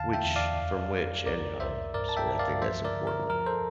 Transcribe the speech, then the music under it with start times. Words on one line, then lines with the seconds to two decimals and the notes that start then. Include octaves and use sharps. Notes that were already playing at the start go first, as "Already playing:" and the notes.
which from which and, uh, so I think that's important.
Already playing: E2 D3 F5 A5
0.13 E5 G5
0.25 E2
0.36 D5 F5
0.59 F2
0.93 F2
1.26 C2 A#4 D5
1.60 C2 C5 E5
1.94 G2 A#4 D5
2.09 A5
2.17 E5 G5
2.28 G2
2.39 D5 F5
2.62 F3 C5 E5
2.85 A#4 D5
2.96 D3
3.07 A#4
3.30 F3 A#4
3.47 A4 C5